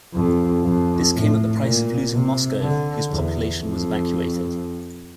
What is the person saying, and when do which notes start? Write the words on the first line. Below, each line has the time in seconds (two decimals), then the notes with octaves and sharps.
This came at the price of losing Moscow, whose population was evacuated.
0.14 F2
0.63 F2
1.12 A2
1.62 A#2
2.11 C3
2.60 D3
3.10 E2
3.59 F2